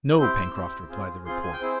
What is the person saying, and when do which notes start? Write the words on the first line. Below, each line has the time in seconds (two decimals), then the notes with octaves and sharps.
"No, Pencroft," replied the reporter.
0.18 C4 E4 G4 G6
0.36 E6
0.54 C4 E4 G4
0.89 C4 F4 G#4
1.26 C4 F4 G#4 C6
1.43 G#5
1.53 G5
1.61 C4 E4 G#4 C5